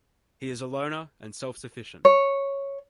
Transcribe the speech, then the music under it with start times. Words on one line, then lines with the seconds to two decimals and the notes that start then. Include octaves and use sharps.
He is a loner and self-sufficient.
2.05 C#5